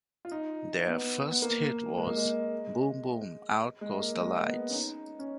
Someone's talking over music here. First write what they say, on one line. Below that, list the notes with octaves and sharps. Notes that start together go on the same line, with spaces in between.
Their first hit was "Boom Boom Out Goes The Lights".
F4
D#4
B3
B3
A#3
G#3
A#3
G#3
G#3
A#3
G#3
B3
C#4
D#4
C#4